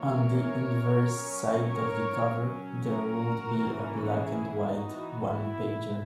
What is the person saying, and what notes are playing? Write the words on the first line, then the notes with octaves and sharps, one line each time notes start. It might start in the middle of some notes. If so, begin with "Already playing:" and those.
On the inverse side of the cover, there would be a black-and-white One-Pager.
Already playing: E3 A#3 C#4 A#4 C#5
F#3 C#4
A#4 C#5
F#3 C#4
F#4 A#4
E3 A#3 C#4
E4 G#4
E3 B3 D#4 F#4
E4